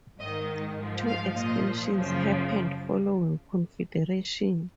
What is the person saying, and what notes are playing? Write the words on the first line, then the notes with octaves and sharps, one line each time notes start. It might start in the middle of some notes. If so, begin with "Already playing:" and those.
Two expansions happened following Confederation.
G#2 D#3 D#5
G#2 F3
F5
A#2 F3 D#5
F#2 C#3 F3